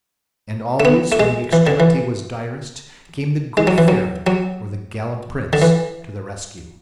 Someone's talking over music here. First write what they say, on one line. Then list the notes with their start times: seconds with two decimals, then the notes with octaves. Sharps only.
And always when the extremity was direst came the good fairy or the gallant prince to the rescue.
0.80 A3
0.85 B3
1.12 A3
1.20 G#3
1.53 E3
1.67 D3
1.80 E3
3.57 G#3
3.67 F#3
3.78 E3
3.88 F#3
4.27 F#3
5.53 D3
5.62 E3